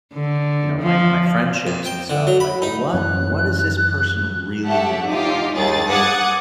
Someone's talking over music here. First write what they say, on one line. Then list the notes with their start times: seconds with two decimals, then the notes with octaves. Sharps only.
you know, my my friendships and stuff, like, "What what does this person really need?" Like, do they
0.13 D3
0.81 F3
1.67 F2
1.85 G5
2.10 D3
2.27 F#3
2.40 B5
2.62 D#4
2.94 F#2 E3 C#4 F#6
4.66 G4 A4 C#5 E5 F#5 A5
5.08 D#4 F4 G4 D6
5.54 D#2 G3 G#4 A6
5.89 F#5 D6 D#6 F#6 G#6 A6